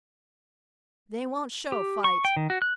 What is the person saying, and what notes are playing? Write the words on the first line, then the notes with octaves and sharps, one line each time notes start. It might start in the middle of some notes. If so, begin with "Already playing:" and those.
They won't show fight.
G4
C#6
G5
D#3
F#4
F#6